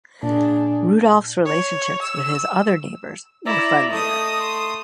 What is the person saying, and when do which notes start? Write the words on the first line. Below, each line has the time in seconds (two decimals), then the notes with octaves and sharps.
Rudolph's relationships with his other neighbours were friendlier.
0.23 A#2 D4 G#4
1.46 C#5
2.02 E6
3.46 E4 D5 E5 A#5
3.90 A3 D#5 D#6
4.40 C6